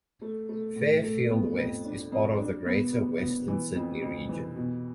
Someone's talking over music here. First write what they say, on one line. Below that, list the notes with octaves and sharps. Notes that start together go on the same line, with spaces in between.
Fairfield West is part of the Greater Western Sydney region.
A3
A3
A2
A3
B3
F2
D4
F2
D4
B3
B3
B3
E3
F2
F2
E3
B2